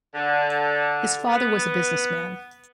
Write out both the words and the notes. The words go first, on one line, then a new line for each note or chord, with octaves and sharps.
His father was a businessman.
D3
B3